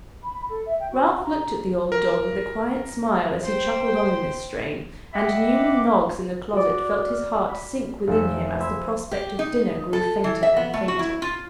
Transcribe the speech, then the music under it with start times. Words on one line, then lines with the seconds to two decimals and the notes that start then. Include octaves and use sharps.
Ralph looked at the old dog with a quiet smile as he chuckled on in this strain, and Newman Noggs in the closet felt his heart sink within him as the prospect of dinner grew fainter and fainter.
0.23 B5
0.49 A4
0.66 E5
0.80 G5
0.91 F#4
1.23 A#5
1.92 A#4
3.44 C5 G5
5.14 D#5 E5 F#5 G5 B5 D6
6.53 F#4 D5
7.00 F6
7.49 B5
8.07 F1 E5
8.60 C5 B5 E6 G#6
9.11 G4
9.39 D#4
9.93 A4
10.24 E3
10.43 E5
10.57 B3
10.74 A3
10.88 F#4
10.99 E4
11.22 F4